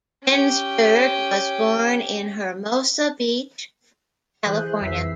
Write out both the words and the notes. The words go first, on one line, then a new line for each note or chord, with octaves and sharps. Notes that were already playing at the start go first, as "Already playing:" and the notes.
Ensberg was born in Hermosa Beach, California.
C#4 G4
E3 G#4 C5 F#6 G6
F2 E3 E5 E6 B6 C7